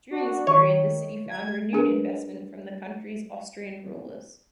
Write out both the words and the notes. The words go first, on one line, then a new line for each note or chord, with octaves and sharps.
During this period the city found renewed investment from the country's Austrian rulers.
D4 F#4
D#3 C#5
G#6
D4 G#4 A#4 B4